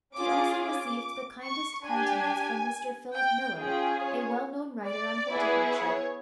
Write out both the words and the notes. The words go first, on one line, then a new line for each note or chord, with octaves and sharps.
She also received the kindest countenance from Mr Philip Miller, a well-known writer on horticulture.
C#4 F4 G#4 D6
D6
C#6
D4 G4 G#5
G5
C#4 F4 G#4 G5
C#5
D5
B3 E4 G#4
C#5